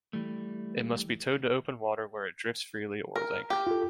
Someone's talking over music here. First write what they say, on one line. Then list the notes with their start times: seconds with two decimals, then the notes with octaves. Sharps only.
It must be towed to open water, where it drifts freely or is anchored.
0.13 E3 G3 A3
3.16 A#4
3.50 G4
3.67 F4 A4